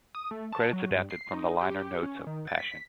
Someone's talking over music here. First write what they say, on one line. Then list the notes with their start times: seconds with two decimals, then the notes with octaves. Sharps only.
Credits adapted from the liner notes of "Passion".
0.15 D#6
0.31 A3
0.52 A5
0.73 F#3
0.91 G2
1.10 C7
1.33 D#4
1.61 G4
2.03 C#4
2.27 D#3
2.47 A6
2.59 B6